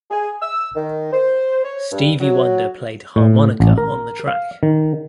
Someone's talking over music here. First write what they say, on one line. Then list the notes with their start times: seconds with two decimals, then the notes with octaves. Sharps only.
Stevie Wonder played harmonica on the track.
0.11 G#4
0.42 E6
0.75 D#3
1.13 C5
1.64 C#5
1.92 G2
2.20 F#3
3.16 A2
3.60 A1
3.78 A#4
4.27 F5
4.63 D#3